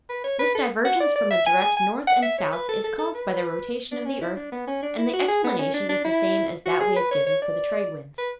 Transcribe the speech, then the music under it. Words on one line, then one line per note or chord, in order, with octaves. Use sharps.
This divergence from a direct north and south is caused by the rotation of the earth and the explanation is the same as that we have given for the trade winds.
B4
C#5
B4
A4
F#5
D5
D5
E5
G#5
G#5
G#5
F#5
E5
C#5
B4
A4
A4
A4
B4
D4
C#4
E4
D4
B3
C#4
D4
E4
F#4
G#4
B3
C#4
D4
D4
E4
F#4
G#4
B4
C#5
C#5
D5
B4